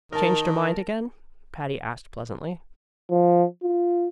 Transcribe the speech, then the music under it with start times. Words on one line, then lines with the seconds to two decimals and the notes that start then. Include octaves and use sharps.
"Changed her mind again?" Patty asked pleasantly.
0.12 D#3 A#4 A5
3.11 F3
3.63 F4